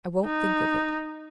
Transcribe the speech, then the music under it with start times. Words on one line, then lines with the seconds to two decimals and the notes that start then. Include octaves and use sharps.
I won't think of it ...
0.25 D#4